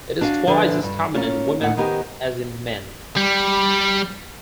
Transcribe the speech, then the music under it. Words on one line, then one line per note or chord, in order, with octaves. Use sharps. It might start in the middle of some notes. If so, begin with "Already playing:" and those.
It is twice as common in women as in men.
D4 F#4 F5 G#5
D3 F3 D4 B4 E5 G#5
G2
A#3 C#4 F4
D#2 A2 F#5
D#3 B3 D#4 G4 C5 G#5
G3